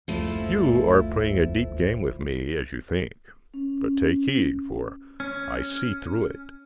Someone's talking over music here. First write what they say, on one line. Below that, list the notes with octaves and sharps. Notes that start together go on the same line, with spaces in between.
"You are playing a deep game with me, as you think; but take heed, for I see through it."
F#1 D2 F3 A3 E4
C#4
C#4